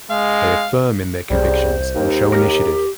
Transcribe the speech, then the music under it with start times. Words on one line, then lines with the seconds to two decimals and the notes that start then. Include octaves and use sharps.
They are firm in their convictions, and show initiative.
0.10 G#3 F5
1.31 C2 C#3 G3 C5
1.95 D#2
2.32 G4 A#4